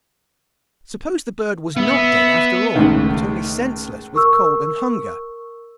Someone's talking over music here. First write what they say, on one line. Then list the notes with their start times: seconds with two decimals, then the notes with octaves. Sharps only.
Suppose the bird was not dead after all, but only senseless with cold and hunger!
1.77 B3 E5
2.74 C#2 A2 D#3 F5
4.14 A#4 C#6 E6